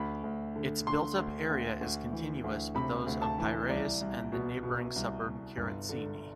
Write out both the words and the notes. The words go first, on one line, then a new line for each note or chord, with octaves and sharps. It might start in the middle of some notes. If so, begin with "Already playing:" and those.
Its built-up area is continuous with those of Piraeus and the neighbouring suburb Keratsini.
Already playing: D2 B5
D2
D3
D3 C6
D2
D2
D2
E3
D2
C3 B5
D2
A5
E3
C2 D5
C2
B2
B2
C2
C2
G1
D3